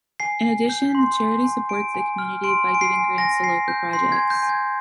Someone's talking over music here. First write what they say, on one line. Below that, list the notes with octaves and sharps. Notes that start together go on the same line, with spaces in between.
In addition, the charity supports the community by giving grants to local projects.
G#5 C7
G#5
G6
C6
G#5
G#5
G#5 D7
G#5
F6
C6 D7
G#5
D7
C7
G#5
G#5 A#6
G#5 C7
G6
C6 C7
G#6
G#5
G6
G#5
G#6